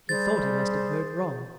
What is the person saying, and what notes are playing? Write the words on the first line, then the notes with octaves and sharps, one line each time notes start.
He thought he must have heard wrong.
G3 G#4 C5 A6